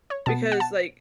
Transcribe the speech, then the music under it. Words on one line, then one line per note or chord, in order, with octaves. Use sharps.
because like
C#5
B2 B3 A5
F#5
A5